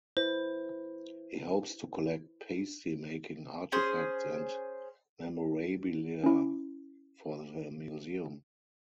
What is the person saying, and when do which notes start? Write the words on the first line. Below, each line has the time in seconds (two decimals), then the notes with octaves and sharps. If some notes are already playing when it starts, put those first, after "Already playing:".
He hopes to collect pasty-making artifacts and memorabilia for the museum.
0.17 E4 B4 C5
3.72 C#4 G#4 C5
6.24 C#4 E4